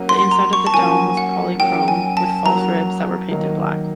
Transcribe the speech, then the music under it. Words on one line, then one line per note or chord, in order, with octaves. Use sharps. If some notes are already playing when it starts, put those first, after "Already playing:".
The inside of the dome was polychrome, with false ribs that were painted black.
Already playing: F#3 A#3 C#4 F#4
C6
A#5
C#6
A5
F#3 A#3 C#4 F#4 G#5
F#5
F#3 A#3 C#4 F#4 G5
G#5
A5
F#3 A#3 C#4 F#4 A#5
D#3 F#3 A#3